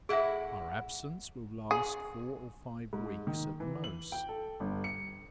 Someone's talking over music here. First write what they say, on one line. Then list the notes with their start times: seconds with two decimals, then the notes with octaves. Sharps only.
Our absence will last four or five weeks at the most.
0.09 A2 E4 G#4 E5 F#5
1.71 G#4
2.93 G#2
3.27 D#3
3.60 E3
3.84 F#7
4.12 G5
4.29 A4
4.60 G1
4.84 C#7